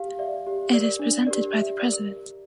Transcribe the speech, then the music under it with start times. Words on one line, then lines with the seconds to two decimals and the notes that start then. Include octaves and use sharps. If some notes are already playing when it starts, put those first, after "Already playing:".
It is presented by the president.
Already playing: G4 F5
0.19 D5 E5
0.46 G4
0.73 A#4 D5
0.99 D4
1.27 G4 A#4 D5
1.53 G4 E5
1.80 A#4 D5